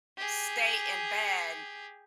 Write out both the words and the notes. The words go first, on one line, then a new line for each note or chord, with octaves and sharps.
stay in bed,
G4 G#4